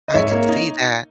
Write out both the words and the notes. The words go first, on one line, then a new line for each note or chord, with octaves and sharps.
I could see that.
D#5
G#2 C#5 E5
A#3 C#5
D#4 D#5